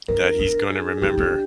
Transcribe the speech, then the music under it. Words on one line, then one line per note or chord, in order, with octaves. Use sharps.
that he's gonna remember
D4 A#4
D4
G#4
D#4 G4
D4